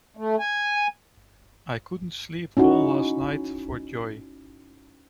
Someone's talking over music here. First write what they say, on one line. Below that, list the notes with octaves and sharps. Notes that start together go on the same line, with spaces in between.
I couldn’t sleep all last night for joy.
A3
G#5
C#4 D#4 E4 F#4